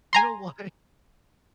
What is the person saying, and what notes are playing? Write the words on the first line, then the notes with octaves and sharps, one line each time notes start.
You know what?
G#5 A#5 C6